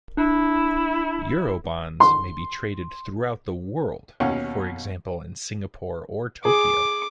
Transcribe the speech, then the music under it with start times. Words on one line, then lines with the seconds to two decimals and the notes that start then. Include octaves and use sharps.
Eurobonds may be traded throughout the world-for example in Singapore or Tokyo.
0.17 D4 E4
2.00 C6
4.20 D#2 B2 C#4 F5 F#5 C#6
6.45 G#4 D6